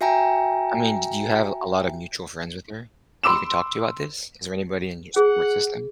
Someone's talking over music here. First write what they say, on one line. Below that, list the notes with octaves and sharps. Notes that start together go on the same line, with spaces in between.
I mean, did you have a lot of mutual friends with her that you can talk to about this? Is there anybody in your support system?
F#4 E5 G5 G#5 A#5
B5 C6 D6 E6 E7
G#4 F#5